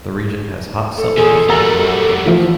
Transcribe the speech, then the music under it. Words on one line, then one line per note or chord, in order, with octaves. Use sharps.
The region has hot summers and mild winters.
A4
E2 A#2 G#4 A4
G3 F#4 A#4 F#5 A#5 E6 A6
E3 F3